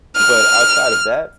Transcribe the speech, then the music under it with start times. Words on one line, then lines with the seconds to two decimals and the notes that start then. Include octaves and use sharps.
but outside of that,
0.15 F6